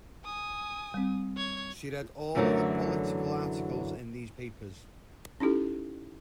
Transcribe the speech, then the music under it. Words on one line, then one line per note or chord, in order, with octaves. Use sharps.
She read all the political articles in these papers.
G#5 D#6
G3 C4
C#5 G#6
F#2 D3 E3 F#3 A3 A#4
C#4 D#4 E4 G4 A4